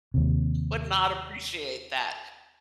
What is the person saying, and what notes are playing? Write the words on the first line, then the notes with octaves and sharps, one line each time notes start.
would not appreciate that,
D#2 C3